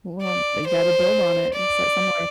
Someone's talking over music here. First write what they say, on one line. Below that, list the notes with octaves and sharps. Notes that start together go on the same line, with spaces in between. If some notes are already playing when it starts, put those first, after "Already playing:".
Well, you gotta build on it and start somewhere.
D5
C5
D5